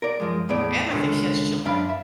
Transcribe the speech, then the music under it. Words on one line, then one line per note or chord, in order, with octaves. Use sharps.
And I think she has children.
A#4 D5
F#2 F3 G#3
E2 A2 B3 G#4 D5
C#2 F#2 A#2 D3 D#3
F#2 D4 F5 B5
E5